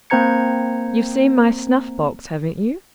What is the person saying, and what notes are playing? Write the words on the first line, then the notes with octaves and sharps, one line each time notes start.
You've seen my snuff-box, haven't you?
A#3 C4 C5 A#5 G#6 C#7